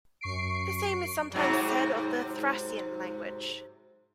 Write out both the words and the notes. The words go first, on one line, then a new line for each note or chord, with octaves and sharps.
The same is sometimes said of the Thracian language.
F#2 C#6 C7 D7
G#2 C3 F#3